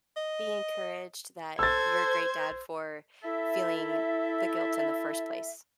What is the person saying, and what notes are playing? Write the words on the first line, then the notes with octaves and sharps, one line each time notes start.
be encouraged that you're a great dad for feeling the guilt in the first place,
D#5
A4 C5 E6 G#6 A6
E4 A4 E5